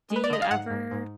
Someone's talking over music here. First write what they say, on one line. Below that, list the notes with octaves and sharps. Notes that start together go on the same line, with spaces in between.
Do you ever
G#3
B4
D5
D3 D#5
F5
G#2 F#5
G#2
G#2